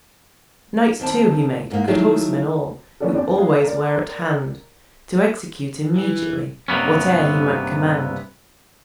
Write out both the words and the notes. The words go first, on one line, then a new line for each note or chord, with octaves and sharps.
Knights, too, he made, good horsemen all, Who always were at hand To execute immediately Whate'er he might command.
D#2 C4 A5
G#2 A#3
D#3 F#3 A3 D#4 E4 G#4
E3 A#3 C#4 D4 F#4 A4
E2 C4 D4
G#3 G#4 F5
A#4 D5
E3
G2 C3 A#3 B3 C#4